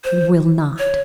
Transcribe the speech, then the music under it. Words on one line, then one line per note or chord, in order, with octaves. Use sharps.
"I will not!"
C5
C#5